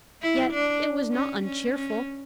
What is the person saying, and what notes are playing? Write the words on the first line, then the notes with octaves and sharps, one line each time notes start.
Yet it was not uncheerful.
E4
D4
C#4
C#4
C#4